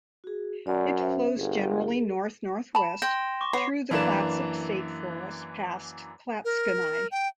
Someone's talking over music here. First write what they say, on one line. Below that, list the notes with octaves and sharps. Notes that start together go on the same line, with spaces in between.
It flows generally north-northwest through the Clatsop State Forest, past Clatskanie.
F#4 G#4
F#2 D5
C#4 C5 E5
G1 G#4 A#4
A5 B5 E7
G5 C6 A#6
C#6 D6
B3 C#5 F#5 C7
F#2 E3 A#3 D4 B4 E7
A#4
G5